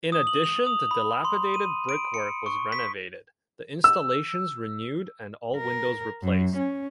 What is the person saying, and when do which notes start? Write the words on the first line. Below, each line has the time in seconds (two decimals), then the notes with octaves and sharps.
In addition, the dilapidated brickwork was renovated, the installations renewed and all windows replaced.
0.12 D#6
0.27 F#7
0.44 F7
0.67 D#6
0.91 B5
1.25 C6
1.54 D#7
1.89 D7
2.14 C#7
2.46 C#6
2.72 B6
3.84 E6
5.57 A#4
6.23 F#2
6.56 C#4